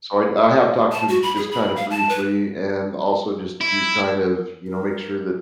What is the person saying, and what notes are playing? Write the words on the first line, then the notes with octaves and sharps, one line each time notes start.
So I'd I have talked to him just, kinda, briefly and also just to kind of, you know, make sure that,
A5
F#4
B5
G#4
B5
F5
A5
B4
E4
A#4